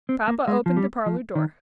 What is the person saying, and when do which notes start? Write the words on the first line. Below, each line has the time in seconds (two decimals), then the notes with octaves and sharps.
Papa opened the parlor door.
0.09 C4
0.28 A#3
0.48 G#3
0.66 F3
0.77 G3
1.06 F3
1.35 D#3